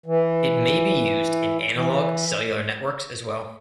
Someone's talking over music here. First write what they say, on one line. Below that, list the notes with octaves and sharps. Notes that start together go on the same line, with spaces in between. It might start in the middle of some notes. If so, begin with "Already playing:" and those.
It may be used in analog cellular networks as well.
E3
E3